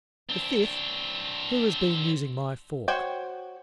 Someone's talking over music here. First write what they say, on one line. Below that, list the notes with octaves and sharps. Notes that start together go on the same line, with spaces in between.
The fifth, "Who has been using my fork?"
C4 D4
F#4 C5 C#5 G5